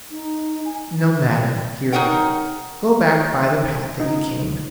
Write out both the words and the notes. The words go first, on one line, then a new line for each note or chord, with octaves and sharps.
"No matter," he replied, "go back by the path that you came."
D#4
G#5
D#4 G#4 A#4 C#5 F#5 G5
D#4